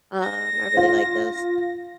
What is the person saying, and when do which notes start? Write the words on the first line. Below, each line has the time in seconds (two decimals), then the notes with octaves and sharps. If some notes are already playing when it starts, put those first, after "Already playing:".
um, I really like those.
0.22 A#6
0.77 F4